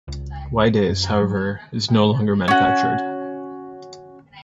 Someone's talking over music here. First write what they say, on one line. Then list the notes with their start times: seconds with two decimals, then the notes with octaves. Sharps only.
Wydase, however, is no longer manufactured.
0.08 C#2
0.89 F#2
1.22 F#3
2.48 C#4 F#4